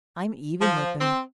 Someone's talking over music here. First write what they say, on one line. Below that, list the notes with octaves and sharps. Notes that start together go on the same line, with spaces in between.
I'm even with him.'
F3
C4